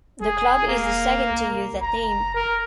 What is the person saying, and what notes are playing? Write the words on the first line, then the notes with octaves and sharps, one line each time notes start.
The club is the second to use that name.
F1 G#4
E1 A#3
C2
F#1 A#5
A#4